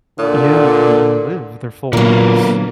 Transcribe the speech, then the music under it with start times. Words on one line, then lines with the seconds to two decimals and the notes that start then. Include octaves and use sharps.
Yeah, and and live their full lives.
0.19 A#2 D3
1.93 A#2 D3 E3 F#3 A#3 B3 A#4